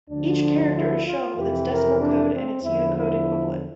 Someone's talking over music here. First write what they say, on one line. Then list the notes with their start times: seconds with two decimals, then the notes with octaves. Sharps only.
Each character is shown with its decimal code and its Unicode equivalent.
0.10 D2 D3 F3 D4
0.74 E4
1.05 F4
1.36 F2 C3 E3 G4
1.68 A#4
2.00 D4
2.32 C4
2.63 E2 D3 F3 E4
2.95 E4